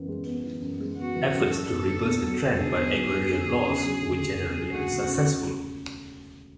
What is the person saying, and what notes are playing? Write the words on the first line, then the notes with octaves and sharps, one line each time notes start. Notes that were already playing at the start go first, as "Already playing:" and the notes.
Efforts to reverse the trend by agrarian laws were generally unsuccessful.
Already playing: F#2 E3 B3
G#3
B3
E3
F#2
G#3
B3 F#4
E3
F#2
F#3 A4
B3
D3
E2
F#3
B3
D3 G#4
E2
F#3
B3
D3
E2
C#3
F#3
D2
E1
C#3
F#3
D2 F#4
E1
C#3